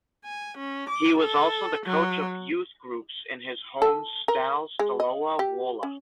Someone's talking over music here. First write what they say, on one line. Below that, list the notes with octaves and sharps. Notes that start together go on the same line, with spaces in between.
He was also the coach of youth groups in his home Stal Stalowa Wola.
G#5
C#4
D6
A4
F#3
A4
A#4
G#3
D#5
G4
C#4